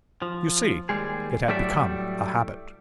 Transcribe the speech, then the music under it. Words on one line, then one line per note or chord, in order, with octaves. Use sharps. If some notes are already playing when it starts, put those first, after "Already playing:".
You see, it had become a habit.
F3
D#2 G3 G#3 G#4
A2 F#3 G3 A3 D5 E5